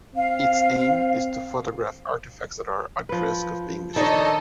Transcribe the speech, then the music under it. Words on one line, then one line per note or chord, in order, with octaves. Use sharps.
Its aim is to photograph artifacts that are at risk of being destroyed.
C4 F5
F3 B4
D#3 D4 D#4 A4 C#5 D#5